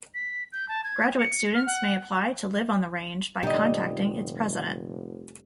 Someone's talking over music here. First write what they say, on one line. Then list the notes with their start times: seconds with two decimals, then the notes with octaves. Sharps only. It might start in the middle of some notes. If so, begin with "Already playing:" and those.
Graduate students may apply to live on the Range by contacting its president.
0.14 B6
0.52 G6
0.69 A5
0.84 G#6
1.19 C#7
1.54 F6
1.66 F#5
3.43 F1 A#2 D3 F3 G3 D#4 G4 D#5